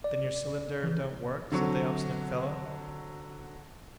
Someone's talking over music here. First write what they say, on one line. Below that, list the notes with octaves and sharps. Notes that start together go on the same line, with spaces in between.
"Then your cylinder don't work," said the obstinate fellow.
D5
E3
D3 F#3 C4 C#6